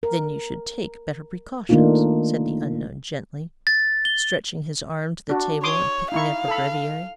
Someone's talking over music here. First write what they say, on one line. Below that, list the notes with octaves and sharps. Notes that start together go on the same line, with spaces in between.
"Then you should take better precautions," said the unknown gently, stretching his arm to the table and picking up a breviary.
A#4
D#3 A3 A#3 D4 D#4 F4
A6
G7
D4 F#4
C#5 C6 D6 D#6
D#4 E4 F5 C#6
A4 B5